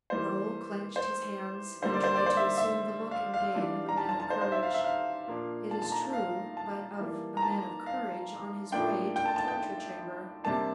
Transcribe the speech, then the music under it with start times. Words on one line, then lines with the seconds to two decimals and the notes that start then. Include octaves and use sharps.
Raoul clenched his hands, and tried to assume the look and gait of a man of courage, it is true, but of a man of courage on his way to the torture chamber.
0.10 E3 G3 A#3 C5
0.96 C5
1.82 D3 G3 A#3 C5
1.94 D5
2.04 C5
2.16 D5
2.26 C5
2.37 E5
2.57 E5
3.11 F5
3.34 F5
3.55 E3 G3 D4
3.89 A#5
3.98 A5
4.09 A5
4.20 A5
4.30 C5
4.41 C5
4.52 E5
4.63 F5
4.74 E5
4.84 F5
5.27 A#2 F3 A#3 D4
5.71 A5
5.82 A5
5.92 A#5
6.02 A5
6.13 F5
6.57 A5
6.99 E3 G3 A#3
7.37 A#5
7.42 A5
7.86 F5
8.72 A2 F3 A#3 D4 G5
9.16 G5
9.26 A5
9.36 A5
9.48 G5
10.44 C3 G3 A#3 D4 A5